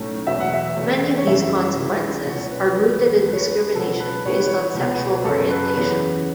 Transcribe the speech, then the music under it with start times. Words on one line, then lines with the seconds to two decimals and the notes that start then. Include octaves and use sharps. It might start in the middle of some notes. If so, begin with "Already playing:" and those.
Many of these consequences are rooted in discrimination based on sexual orientation.
Already playing: B1 A2 A3 C#4
0.27 E1 E2 B2 F#3 E5
0.40 F#5
0.53 E5
0.76 E2 C#3 A3
1.17 C#5
1.26 F#1 F#2 C#3 E3 E5
1.76 C#2 C#3 E3
2.26 C#2 B2 F#3 C#4 C#5
2.51 B4
2.76 F#1 E2 B2 B4
3.25 C#2 C#3 A3 C#4 B4
3.33 C#5
3.40 B4
3.51 B4
3.75 C#2 B2 F#3 A4
4.00 B4
4.25 A1 A2 E3 B3 C#5
4.36 B4
4.47 C#5
4.75 C#2 B2 B3
5.24 F#2 C#3 F#3 C#4 A4
5.50 B4
5.75 F#1 E2 C#3 E3 B3